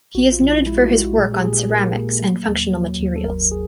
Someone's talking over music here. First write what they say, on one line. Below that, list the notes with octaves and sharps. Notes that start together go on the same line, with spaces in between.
He is noted for his work on ceramics and functional materials.
A#1 F#4
F4
A#1
E4
G#3 E4
F#4
F4
G#3
A#2 G#4
G4
A#2 G#4
A#2 A#4
A#3
F#3
D#2
F#3
D#2
A4
G1 A#4
G#4